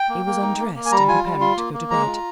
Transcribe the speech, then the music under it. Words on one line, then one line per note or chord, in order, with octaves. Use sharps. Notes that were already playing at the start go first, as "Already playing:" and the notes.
He was undressed and preparing to go to bed.
Already playing: G5
A#3
A#3
D#4
A#3
A#3
G#5
G3 A#5
F4 G#5
G3
F4 C6
A#3
A#3
G#3 A#5
F4